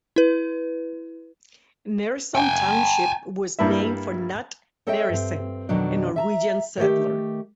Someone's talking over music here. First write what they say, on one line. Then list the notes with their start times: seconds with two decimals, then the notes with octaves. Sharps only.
Nereson Township was named for Knut Neresen, a Norwegian settler.
0.16 E4 B4
2.35 G5 G#5
3.59 G2 G3 A#3 E4 E5
4.87 C4 A4 C#5 D#5 E5 G5
5.09 G2 C4
5.69 F2 B2 D#3 F#3 D4
6.16 E5 A5 A#5
6.77 D#3 A3 G4